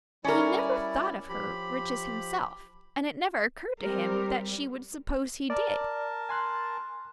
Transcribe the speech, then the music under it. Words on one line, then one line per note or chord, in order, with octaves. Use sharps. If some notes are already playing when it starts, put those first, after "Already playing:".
He never thought of her riches himself, and it never occurred to him that she would suppose he did.
G3 C#4 E4 A#4 D5
F3 G4 B5
G3 C4 G4 A#4
A#4 D5 A5
G#5 C6 F#6